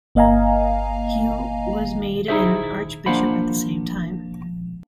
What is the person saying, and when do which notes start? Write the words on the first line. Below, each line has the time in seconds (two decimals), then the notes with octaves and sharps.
He was made an Archbishop at the same time.
0.15 G1 A#3 D#5 F5 G#5 A#5
2.28 D#4 E4 G4 G#4 C5 E5
3.06 A#3 D4 F4 C5 F#5 B5